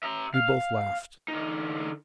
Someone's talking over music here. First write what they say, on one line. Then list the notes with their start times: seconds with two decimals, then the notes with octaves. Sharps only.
We both laughed.
0.03 E5 A#5
0.34 F5
1.28 D3 D#4